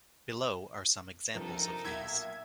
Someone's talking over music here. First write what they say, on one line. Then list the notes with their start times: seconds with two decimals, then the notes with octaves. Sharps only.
Below are some examples of these.
1.34 G2 C3 F3 D#4 A4 A#4
1.84 B1 A#2 E5 G#6